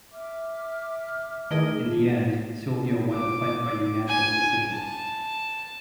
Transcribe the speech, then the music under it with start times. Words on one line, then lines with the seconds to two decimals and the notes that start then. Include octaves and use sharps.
In the end Sylvia won the fight by unanimous decision.
0.11 E5 D6 F6
1.51 D#3 E3 A3 D#4 G#4 D#5
3.12 D6
4.08 G#5
4.72 A5